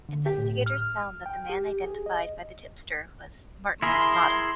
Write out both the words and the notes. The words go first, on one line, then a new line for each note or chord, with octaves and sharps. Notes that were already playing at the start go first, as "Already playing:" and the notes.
Investigators found that the man identified by the tipster was Martin Motta.
D3
G4
A2
F6
G5
G4
G#4
D#5
E4 G#4 A#4 C6